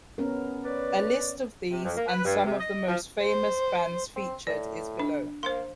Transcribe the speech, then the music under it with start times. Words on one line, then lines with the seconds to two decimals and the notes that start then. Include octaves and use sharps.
A list of these and some of the most famous bands featured is below.
0.18 B3 C#4 A#4
0.65 B4 C#5 D5
1.71 C3
1.84 F2
1.96 A#3
2.08 B4
2.25 G2
2.44 C3
2.59 D#5
2.87 F3
3.20 C5
4.16 C4
4.47 A2 D5
4.99 D4
5.43 A#3 C5 F5 C6